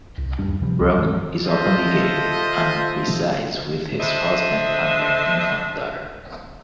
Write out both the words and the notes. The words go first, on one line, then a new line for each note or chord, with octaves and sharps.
Bruck is openly gay and resides with his husband and their infant daughter.
C2
D1 F#2 G3 D4
C3 F3 G3
C#2
G2 D#3 E3 G#3
F4 A4 C5 D#5 E5
D4 A4 C5 D#5 E5